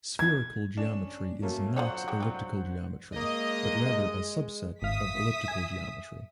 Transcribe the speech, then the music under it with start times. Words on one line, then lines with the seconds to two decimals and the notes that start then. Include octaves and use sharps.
Spherical geometry is "not" elliptic geometry, but is rather a "subset" of elliptic geometry.
0.19 G#6
0.77 C#4 D4 E7
1.42 F#3 A3 A#3 C#4
1.76 F#3 D4 F4 A4 C5 C#5 F#5
2.08 G#3 F#4 G4
2.20 C4 F4
3.16 G#3 A#3 D#5
4.82 G#1 E5 F5 D#6 B6
5.48 G#5